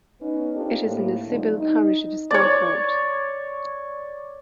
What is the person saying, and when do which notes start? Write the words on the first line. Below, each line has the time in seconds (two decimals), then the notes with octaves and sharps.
It is in the civil parish of Stanford.
0.20 B3 C#4 D#4
0.55 C4 D4 D#4 F4 G4 A4
0.84 A2 A#3
1.27 D3 F3 G3 A3 C4 D#4
1.59 D#4
2.31 C#5 D5